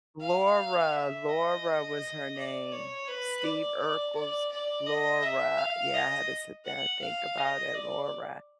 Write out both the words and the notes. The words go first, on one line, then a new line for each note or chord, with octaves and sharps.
Laura, Laura was her name. Steve Urkel's Laura yeah, I had to sit there and think about it. Laura.
F5
E5
D#5
D5
C#5
B4
D5
D5
D5
D5
D#5
E5
F5
D#5
F#5
F5
D#5
D5